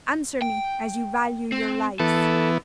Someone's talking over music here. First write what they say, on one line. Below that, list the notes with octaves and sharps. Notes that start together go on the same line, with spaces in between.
Answer me, as you value your lives.'
G5
C4
E3 B3 A4